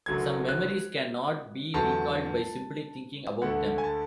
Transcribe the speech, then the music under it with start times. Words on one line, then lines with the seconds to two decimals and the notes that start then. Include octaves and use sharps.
Some memories can not be recalled by simply thinking about them.
0.06 F#1 F#2 D3 F#3 A3 G#6
0.49 F#6
1.74 E2 D3 F#3 A3 A5
3.42 D2 D3 A3 F#5
3.78 G#5
3.84 A5